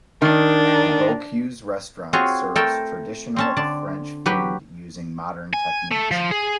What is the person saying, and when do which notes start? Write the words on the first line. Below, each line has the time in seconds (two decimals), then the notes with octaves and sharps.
The Bocuse Restaurant serves traditional French food using modern techniques.
0.22 D#3 D4
2.13 C4 F4 F#4 G#4 C#5
2.55 A3 A4 A#4 G5 A5
3.36 C4 C#4 A5
3.57 D3 D5 A5
4.26 F#3 G4 B4 G5
5.53 G#5
5.91 A3
6.11 F3
6.31 G#4